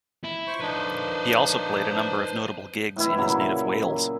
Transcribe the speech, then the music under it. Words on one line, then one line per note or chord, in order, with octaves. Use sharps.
He also played a number of notable gigs in his native Wales.
E4
C5 C#6
F3 D4 D#4 B4 C5
A2 E3 E4
A#2 C#3 F#3 E4